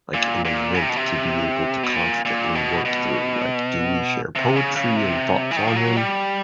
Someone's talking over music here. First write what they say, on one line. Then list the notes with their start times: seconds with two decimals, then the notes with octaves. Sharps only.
like, an event to be able to constantly work through? Like, do we share poetry and thoughts on him?
0.14 A#2
0.45 A#2
0.74 C#3
0.82 C3
0.89 B2
0.96 C3
1.83 B2
1.95 A#2
2.25 A#2
2.55 B2
2.85 B2
4.35 C3
4.56 C#3
4.76 C#3
4.96 C3
5.51 E3
5.57 D#3
5.68 F3
5.76 F#3
5.97 G3